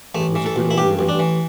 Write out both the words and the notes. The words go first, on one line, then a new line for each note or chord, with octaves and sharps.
It was a good augury.
A1 A3
E3
A4
A1
E4
G2 G4
A1
D4
E3